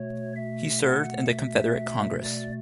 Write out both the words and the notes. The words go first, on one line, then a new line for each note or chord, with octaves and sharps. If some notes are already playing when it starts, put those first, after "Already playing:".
He served in the Confederate Congress.
Already playing: B2 A3 C#5
E5
F#5
E5
D5